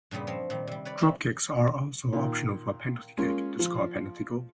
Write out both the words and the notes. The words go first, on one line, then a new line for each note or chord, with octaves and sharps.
Drop kicks are also optional for a penalty kick to score a penalty goal.
G2 A#2 C#3 G3 B3
F3 C4 C#5
A#2 D#3 G3
C3 G3
B4 C#5 D5
F3 A3 C4 E4 G4
A#2 D#3
G#3 A#3 C#4 F4
F3